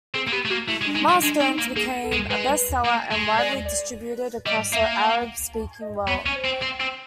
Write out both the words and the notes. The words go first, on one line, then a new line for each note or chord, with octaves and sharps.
"Milestones" became a bestseller and widely distributed across the Arab speaking world.
C4 G#4
A#3
B3 G4
A3
A#3 F#4
A3 E4
G#3
D4
G#3 D#4
G3
G#3 D4
C4 D4
D#4
A#3
A#3 G#4
A4
G#3
G#3 B4
A#3
G#3
D5
D5
G3 D#5
A#3 E5
F#5
A5
D#5
B3 C#5
C#4
C5
C4
C4
C4